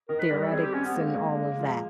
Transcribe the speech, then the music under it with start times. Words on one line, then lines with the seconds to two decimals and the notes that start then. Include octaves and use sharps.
theoretics and all of that.
0.09 D#3 A#4
0.19 B4
0.30 G3 A#4
0.41 A4
0.52 C4 G#4
0.63 G4
0.73 C4 C#4
0.84 B3
0.95 G#3 A#3
1.16 G#3
1.38 G#3
1.59 F3